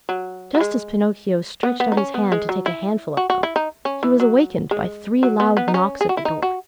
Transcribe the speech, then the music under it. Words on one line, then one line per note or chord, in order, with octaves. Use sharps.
Just as Pinocchio stretched out his hand to take a handful of them, he was awakened by three loud knocks at the door.
F#3
F#3
G#3
B3
B3
D#4
C#4
B3
G#3
F#3
E4
F#4
F#4
E4
D#4
C#4
E3
F#3
G#3
F#3
B3
B3
D#4
C#4
G#4
F#4
E4
D#4
F#4